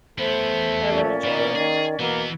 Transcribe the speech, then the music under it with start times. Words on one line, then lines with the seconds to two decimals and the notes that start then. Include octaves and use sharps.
I really enjoy it.
0.18 E2 A3 B3 C5
0.90 A#2 C#4 D5
1.25 B2 A#3
1.56 D#3 G#4
2.00 B2 E3 A#3 B3